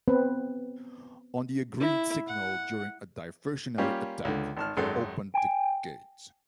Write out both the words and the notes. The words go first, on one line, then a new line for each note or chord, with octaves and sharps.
On the agreed signal, during a diversionary attack, he opened the gate.
B3 C4 B4
E4
F#5
G3 A#3 C#4 F4 G4 C#5
C#2 D3
G#1 A5 F6
G#1 F#2 G#3 A4 C6
G5 G#5